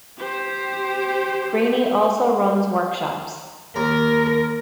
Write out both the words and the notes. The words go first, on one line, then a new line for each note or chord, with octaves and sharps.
Greaney also runs workshops.
G4 C5
D#2 A#4 A#5